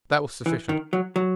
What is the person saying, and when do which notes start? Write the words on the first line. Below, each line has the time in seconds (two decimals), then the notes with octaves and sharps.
That was sufficient.
0.46 E3
0.69 D#3
0.93 F#3
1.16 F#3